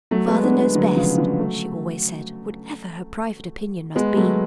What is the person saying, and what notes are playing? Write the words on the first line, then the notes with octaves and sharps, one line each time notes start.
'Father knows best,' she always said, whatever her private opinion must be.
F#3 A3
G#3 B3
B3 D4
B3 D4
D3 F#3
C#3 F3
D3
F#3 A3
G#3 B3
F#3 A3